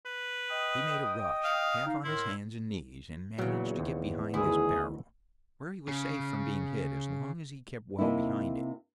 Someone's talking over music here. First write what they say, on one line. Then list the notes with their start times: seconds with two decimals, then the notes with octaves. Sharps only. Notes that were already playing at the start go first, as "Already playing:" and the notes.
He made a rush, half on his hands and knees, and managed to get behind this barrel, where he was safe from being hit as long as he kept well behind it.
0.06 B4
0.51 D#5 G5 D#6
1.44 F5
1.87 D#4 F5
2.04 A2 E4 A#4 C6
3.38 E2 A#2 C#3 F#3
3.80 D#2
4.34 D2 D#3 E4 G#4
5.88 C#3
7.99 C3 A#3 D#4 E4